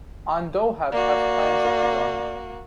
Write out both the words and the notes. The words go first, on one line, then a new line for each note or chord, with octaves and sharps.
Andoheb has plans of his own.
A#3 F#4 D5